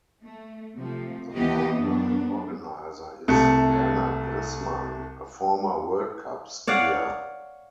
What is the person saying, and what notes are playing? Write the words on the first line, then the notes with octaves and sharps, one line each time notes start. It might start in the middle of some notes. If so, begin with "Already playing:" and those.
The founder and organiser is Werner Grissmann, a former World Cup skier.
A3
C3 F3 A3
D#2 E3 B3 G4 D#5
F#2 B3 D4
C2 C3 A3 C#7
C#5 D5 F5 F#5